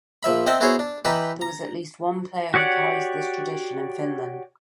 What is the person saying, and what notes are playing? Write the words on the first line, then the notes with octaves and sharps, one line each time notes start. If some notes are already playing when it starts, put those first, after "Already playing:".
There was at least one player who carries this tradition in Finlan.
A#1 F3 E5 B5
C4 D#5 E5 F#5 G5 A5
B3 E4 F#4 G#4 C5 C#5
D4
E3 D#4 G4 B4 A5 B5
A#5
F#4 G4 C#5 D5 F#5